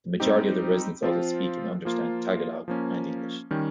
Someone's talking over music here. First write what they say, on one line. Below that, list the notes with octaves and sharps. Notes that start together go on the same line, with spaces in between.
The majority of the residents also speak and understand Tagalog and English.
G3 C4 D#4 G4
F3 C4 F4
F3 A#3 F4
F3 A#3 C#4
D#3 G3 C#4